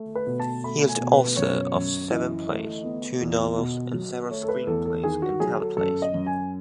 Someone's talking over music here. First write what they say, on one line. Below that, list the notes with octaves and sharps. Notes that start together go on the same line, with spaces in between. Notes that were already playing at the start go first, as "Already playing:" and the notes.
He is the author of seven plays, two novels and several screenplays and teleplays.
Already playing: A3
B4
B2
A5
A3 B5
G#5
B2
B4
F#2 C#5
F#2
E3 D#5
A3
B3
E2
B2
F#3
A3 C#5
A4
B4
E2 A4
A4
D#3 G#4
F#4
F#3 G#4
A4
F#2 A4
D#5
F#2
G#5